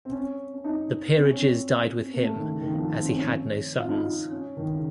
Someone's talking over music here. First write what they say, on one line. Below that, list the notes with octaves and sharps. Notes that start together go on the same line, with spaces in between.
The peerages died with him as he had no sons.
C4
C#4
C#4
D#4
C4
C#4
C4
C4
A#3
A3
D#3
C#3
D#3
F3
C4
C#4
C4
C#4
F4
D#4
F4
C#4
D#3
C#3